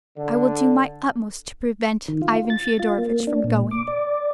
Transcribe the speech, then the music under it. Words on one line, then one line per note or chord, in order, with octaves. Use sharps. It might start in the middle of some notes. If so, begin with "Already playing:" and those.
"I will do my utmost to prevent Ivan Fyodorovitch from going."
D3
D#3
F4
A6
F4
A#3
D4
A#2
D6
D5